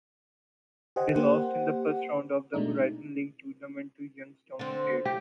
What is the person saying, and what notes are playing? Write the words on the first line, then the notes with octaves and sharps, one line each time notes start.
They lost in the first round of the Horizon League Tournament to Youngstown State.
G4 C5 D#5 F#5 G#5
A#3 G4 C5 F#5
B2 G#3 A3 D4 D#4
D3 C4
G4